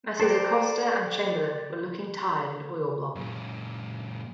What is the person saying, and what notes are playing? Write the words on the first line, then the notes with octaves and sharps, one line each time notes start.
Messrs. Acosta and Chamberlain were looking tired and oil-blobbed.
A4 C5 D5 G5 A#5
F#2 A#2